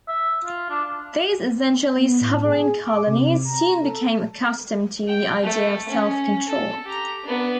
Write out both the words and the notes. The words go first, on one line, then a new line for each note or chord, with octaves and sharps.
These essentially sovereign colonies soon became accustomed to the idea of self-control.
E5
F4
D4
B3
A2
G#4
D6
C3
A#5
A4
G5
A3
C#4
A4
G4 A#5
B3 D4